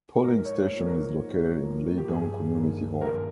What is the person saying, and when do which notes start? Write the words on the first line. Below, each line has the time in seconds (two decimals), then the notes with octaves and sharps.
Polling station is located in Lidong Community Hall.
0.24 G#2 A#4
0.45 C#5
0.56 C5
0.71 F3 A#3
0.86 A#4
1.17 G#2
1.63 F3 A#3
1.97 G4
2.09 G2 G#4
2.55 D#3 A#3
3.01 G2 A#4